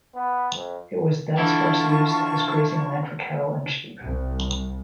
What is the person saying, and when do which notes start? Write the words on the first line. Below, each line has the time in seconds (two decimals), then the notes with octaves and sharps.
It was thenceforth used as grazing land for cattle and sheep.
0.15 B3
0.55 F2
1.37 D3 E3 E4 F4 A5 C#6
4.02 C2